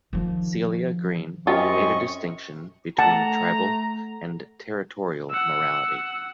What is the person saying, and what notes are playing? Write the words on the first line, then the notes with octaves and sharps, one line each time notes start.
Celia Green made a distinction between tribal and territorial morality.
D#3 F3
F#2 C4 C#4 F4 G4 D#5 C#6
A3 F#5 A5 A#5
F#5 E6